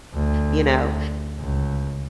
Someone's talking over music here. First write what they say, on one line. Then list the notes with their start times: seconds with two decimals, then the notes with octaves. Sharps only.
you know?
0.14 D2
1.39 C#2